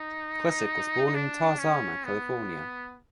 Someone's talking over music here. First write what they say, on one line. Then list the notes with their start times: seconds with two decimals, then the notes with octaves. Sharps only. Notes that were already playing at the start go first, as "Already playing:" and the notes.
Klesic was born in Tarzana, California.
Already playing: D#4
1.15 D4
1.59 C#4
2.05 B3